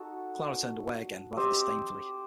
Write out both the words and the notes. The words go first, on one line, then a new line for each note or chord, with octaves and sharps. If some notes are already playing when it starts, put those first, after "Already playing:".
Clara turned away again rather disdainfully.
Already playing: D#4 F#4 A4
C4 G4 C5 D#5